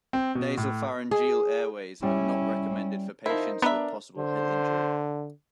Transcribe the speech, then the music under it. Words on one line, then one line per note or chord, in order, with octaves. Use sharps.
Nasal pharyngeal airways are not recommended for patients with possible head injury.
C4
B2
A2
G#4
G3 C#4 E4
F3 D#4 E4 A#4 C5
B3 D4 A#4 D5 E5
D3 C5